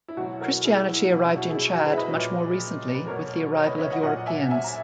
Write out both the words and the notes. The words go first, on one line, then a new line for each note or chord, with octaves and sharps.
Christianity arrived in Chad much more recently with the arrival of Europeans.
E4
B2 F#3 F#4
F#4 A#4
E4 G#4
E4
B2 F#3 E4
E4
F#4
E4 G#4
F#4
G#4 B4
E5
B4 D#5
A#2 F#3
B4
B2 F#3 A#4 C#5
A#4 C#5
B4 D#5
C#5 E5
D#5 F#5
A#2 F#3 D#5 F#5
E5 G#5
E5 G#5
A#5